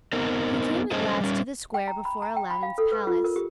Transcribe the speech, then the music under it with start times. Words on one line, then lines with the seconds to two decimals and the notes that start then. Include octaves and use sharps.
He came at last to the square before Aladdin's palace.
0.13 B3 C4 D#4 A#4
0.91 G3 C#4 G#4 A4 C5 D#5
1.21 G3 C#4
1.74 G5
1.88 A#5
2.05 B5
2.22 A#5
2.36 G5
2.50 B5
2.63 F5
2.78 A4
2.92 B4
3.07 F4
3.24 A#4
3.36 G4